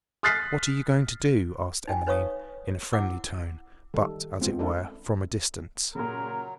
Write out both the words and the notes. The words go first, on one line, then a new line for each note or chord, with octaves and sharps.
'What are you going to do?' asked Emmeline, in a friendly tone, but, as it were, from a distance.
D#6 F6 F#6 A6 B6 C7
D#4 G5 G#5
D#4 B4 C#5 F5 C#6 D#6
E4 F#5 D6 E6
D#3 G3 A4
G#3 B3 C4 F4
C#4 D4 E4 A4 A#4
A#2 C#3 F#3 A#4